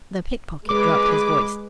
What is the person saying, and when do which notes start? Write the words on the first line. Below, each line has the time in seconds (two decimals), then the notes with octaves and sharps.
The pick-pocket dropped his voice.
0.69 G#3 G#4 B4 D6